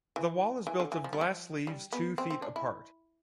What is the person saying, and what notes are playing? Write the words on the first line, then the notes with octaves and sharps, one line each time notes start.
The wall is built of glass leaves two feet apart.
E3
E3
D3
E3
F3
G3
F3
G3
B3
C4
C4
D4
E4